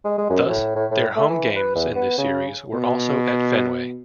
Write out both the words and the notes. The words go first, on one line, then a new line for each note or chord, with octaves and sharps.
Thus their home games in this Series were also at Fenway.
G#3
G#3
F#2
A2
A2
A2
A3
E3
B4
E2
B3
C#3
B2